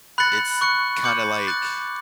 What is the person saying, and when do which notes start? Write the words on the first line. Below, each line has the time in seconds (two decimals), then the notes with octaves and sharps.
it's kinda like,
0.18 B5 F#6 A6 C#7 F#7
0.61 C#6 F#6 C#7
1.04 D6 G6 C#7 F#7
1.47 D6 F#6 A6